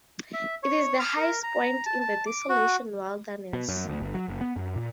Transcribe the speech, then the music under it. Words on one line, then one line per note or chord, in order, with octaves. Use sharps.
It is the highest point in the Desolation Wilderness.
E5
C#5
F6
A#4
A#5
A5
A5
D6
F#4
B2
F#2
D2
G1
F#3
F#1
B3
F#2
A#2